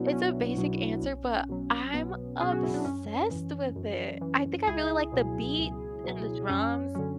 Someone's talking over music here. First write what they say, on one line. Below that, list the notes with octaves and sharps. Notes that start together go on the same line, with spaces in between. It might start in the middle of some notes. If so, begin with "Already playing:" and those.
It's a basic answer, but I'm obsessed with it. I think I really like the beat and the drums.
Already playing: B1 B2 F#3 B3 C#4 D4 E4 F#4
B1 C#4
B2 F#3
B1
B2 F#3
B1 B3
B2 F#3 G#4
F#4
E4
D4
F#2 C#4
E3
F#2
E3
C#2 E4 G#4
B2 F#3
C#2
B2 F#3
F#2 C#4
D3 F#3 C#4